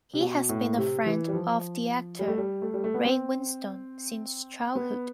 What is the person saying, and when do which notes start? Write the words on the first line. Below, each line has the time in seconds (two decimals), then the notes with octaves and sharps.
He has been a friend of the actor Ray Winstone since childhood.
0.13 C3
0.21 B2
0.49 A2
0.77 C3
1.06 E3
1.28 G3
1.33 F3
2.19 G3
2.28 A3
2.38 G3
2.62 A3
2.74 G3
2.84 A3
2.94 B3
3.05 C4
4.75 B3